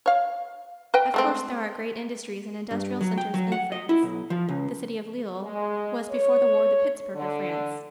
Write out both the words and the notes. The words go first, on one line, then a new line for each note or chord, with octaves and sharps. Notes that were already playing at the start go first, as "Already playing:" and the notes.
Of course, there are great industries and industrial centers in France. The city of Lille was, before the war, the Pittsburg of France.
C#5 F5
B4 D#5 G5
G#3 A3 C4
G2
F#3
G5
F#3
F#5
D#5
E4
B1
F3
C#2
G#3
C#5
D3